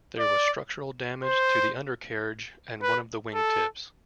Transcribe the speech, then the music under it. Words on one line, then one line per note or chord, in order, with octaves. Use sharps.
There was structural damage to the undercarriage and one of the wing tips.
D5
C5
B4
A4